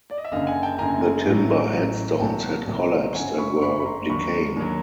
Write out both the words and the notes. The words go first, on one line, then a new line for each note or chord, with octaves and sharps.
The timber headstones had collapsed and were decaying.
D5
D#5
E5
F#1 F#2 D3 D#5 F5
F#5 G#5
G5 A5
F#1 F#2 D3 G#5 A#5
A1 A2 F#3
A1 A2 F#3
C2 A#2 F#3 G5 A5
C2 A#2 F#3
G1 F#2 C#3 F#5 G#5
B5 C#6
G1 F#2 C#3 B5 C#6
B5
A#5 C6
D#2 D3 F#3 B5 C#6
D#2 D3 F#3